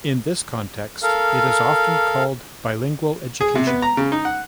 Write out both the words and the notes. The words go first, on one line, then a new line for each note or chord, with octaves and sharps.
In this context, it is often called "bilingual education".
A4 A#4 F5
G#4
C3
B3
A#5
C#3
D#4
F#5